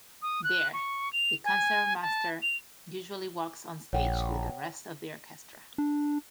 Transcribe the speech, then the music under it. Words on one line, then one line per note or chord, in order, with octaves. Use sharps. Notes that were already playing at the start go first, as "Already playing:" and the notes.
There, the concertmaster usually walks onstage with the rest of the orchestra.
D#6
F#6
C#6
F7
G#5
A5
F7
A#1 C#5 F#5 G5
D4